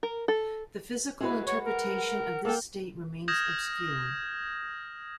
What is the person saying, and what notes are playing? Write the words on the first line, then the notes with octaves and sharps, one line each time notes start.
The physical interpretation of this state remains obscure.
A#4
A4
G#3 E4 F#4 B4
C#5 F#5
A#4
A#3 A4 G5
D#6 F6 G6 G#6 A#6 E7